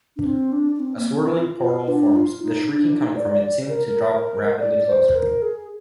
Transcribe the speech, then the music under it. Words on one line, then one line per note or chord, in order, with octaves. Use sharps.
A swirling portal forms, the shrieking coming from it seeming to draw rapidly closer.
D4
C4
D4
D4
C4
A#3
C4
F4
F4
D4
F4
D#4
D4
D#4
D5
D5
A#4
A#4
D5
C5
A#4
G#4